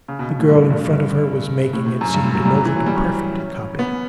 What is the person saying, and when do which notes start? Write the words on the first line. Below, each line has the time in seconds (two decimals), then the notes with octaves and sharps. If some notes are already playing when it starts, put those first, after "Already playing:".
The girl in front of her was making, it seemed to Mildred, a perfect copy.
0.08 C#3
0.19 B2
0.29 B2
0.39 A2
0.50 G2
0.70 G2
0.90 G2
1.73 A2
1.86 A2
2.01 F#2
2.14 G2
2.24 A2
2.35 F#3
2.45 G3
2.55 F#3
2.65 E3
2.76 F#3
2.86 G3
2.96 C#4
3.79 B3